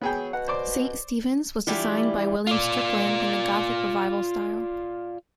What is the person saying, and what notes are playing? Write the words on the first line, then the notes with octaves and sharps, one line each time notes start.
Saint Stephen's was designed by William Strickland in the Gothic revival style.
F#3 B3 G#4 G5
B2 F#5
C5 D5 D6
E3 G3 D4 E4 F4
F4 D5